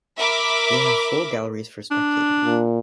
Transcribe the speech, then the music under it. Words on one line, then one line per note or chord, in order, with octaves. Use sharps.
They have full galleries for spectators.
A#4 E5 B5 D6
D4
A#2